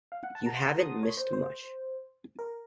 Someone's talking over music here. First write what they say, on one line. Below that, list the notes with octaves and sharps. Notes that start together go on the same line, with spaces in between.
You haven't missed much.
F5
F#5
A5
A#5
C6
D#6
C#5
C5
C5
A#4